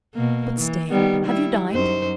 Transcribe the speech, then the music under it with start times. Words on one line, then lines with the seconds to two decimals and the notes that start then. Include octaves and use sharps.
"But stay--have you dined?"
0.14 B2 A#3
0.57 E3
0.90 D#3 G3 B3
1.25 G3 E4
1.71 F#2 D#4 C5